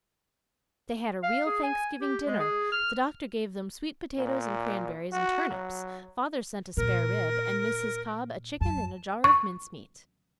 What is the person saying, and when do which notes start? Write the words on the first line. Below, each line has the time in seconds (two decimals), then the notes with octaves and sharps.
"They had a real Thanksgiving dinner; the doctor gave them sweet potatoes and cranberries and turnips; father sent a spare-rib, and Mrs. Cobb a chicken and a jar of mince-meat."
1.23 F5
1.46 G#4
1.63 G#5
2.01 G4
2.27 G#3
2.39 G#4
2.72 F6
4.18 A#2
5.12 F#4
5.50 F#3
6.77 A#2 A#4
8.61 F#2 A5
9.24 C#6